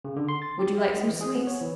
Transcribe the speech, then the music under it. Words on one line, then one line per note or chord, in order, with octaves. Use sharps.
Would you like some sweets?
C#3
D3
C6
A6
G4
E5
G#3
E3
G#4
B3
C#5
E3